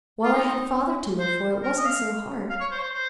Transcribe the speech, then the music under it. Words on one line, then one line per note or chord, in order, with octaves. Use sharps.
While I had Father to live for it wasn't so hard.
F4
D#4
C5
A#4
D#5
F5
F5
C#5
C5
C#5
C5
C5